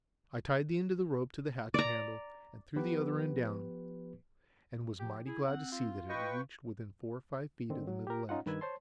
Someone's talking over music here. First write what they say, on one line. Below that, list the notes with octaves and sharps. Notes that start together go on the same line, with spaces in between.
I tied the end of the rope to the hatchet handle and threw the other end down, and was mighty glad to see that it reached within four or five feet of the middle ledge.
D5 A#5
F3 B3 G4 B4
F3 G4
E4 G#4
C4 F#5
F4
B4 D#5 G5 C#6
D3 D#3 C4
F#3
G4 A#4
C#4 D#4 F4 F#5
G2 D#3 B4 E6 G#6
C5 C#5 A5 C6